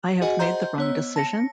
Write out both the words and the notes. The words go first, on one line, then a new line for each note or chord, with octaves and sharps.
I have made the wrong decision?
F#4 G#4 D#5 F#5 G#5
C5 D#5 F#5 A#5 C6 G6
B3 C#5 E6
A5 A#6 C#7